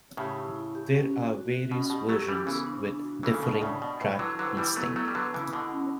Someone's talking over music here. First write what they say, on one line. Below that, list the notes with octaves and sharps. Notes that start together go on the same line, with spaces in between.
There are various versions with differing track listing.
A2 C#3 G4
E4
E4
G4
C#4
F#4
F#4
F#4
B2 C#4
B2 G4
F#3 A3 G4
E3 G3 C#4
C#3 E3 B3
D4
D4
F#4
C#3 E3 A4
C#3
B2 D4
B2
A2 C#3 D5
B2 D5
A2 B4
D3 F#3 E4
D3 F#3 B4
E3 G3 E4
F#3 A3 B3
F#3 A3 B3
G3
D3 F#3 B4
C#3 E3 E4
B2 D3 E4
C#4